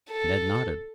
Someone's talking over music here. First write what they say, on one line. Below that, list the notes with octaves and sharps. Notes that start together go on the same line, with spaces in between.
Ned nodded.
A4